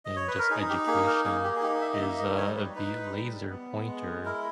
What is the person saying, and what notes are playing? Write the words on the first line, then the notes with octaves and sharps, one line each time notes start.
in just, education is, uh, the laser pointer.
D#5
C#5
B4
A#4
D#4 G#4
G4
A#3 G#4
A#4
A#3 G#4
G4
G#4
D#4 G4
E5
D#5
A#3 E5
D#5
G3 C#5
B4
D#4 B4
G3
B3
G#3
E4 A#4